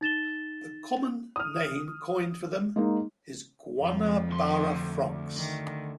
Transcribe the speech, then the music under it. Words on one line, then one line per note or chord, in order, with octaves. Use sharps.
The common name coined for them is Guanabara frogs.
D#4 A6 E7 G7
D#6 F6
G#3 A#3 D#4
F2 F3
D2 C6
D#3